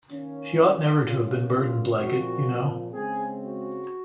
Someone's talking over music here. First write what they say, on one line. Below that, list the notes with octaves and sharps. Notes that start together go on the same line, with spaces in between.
She ought never to have been burdened like it, you know.
D#3 A#3 C#4
C#3 F#3 A#3 F4
F4
A#2 F3 C4 F#4
C#3 G#3 C4 G#4
F#4